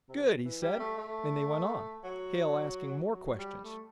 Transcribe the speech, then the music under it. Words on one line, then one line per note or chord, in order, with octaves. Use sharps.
"Good!" he said, and they went on--Hale asking more questions.
C3
E3
G3
A3
A3
F#3
F#3
F#3
G3
A3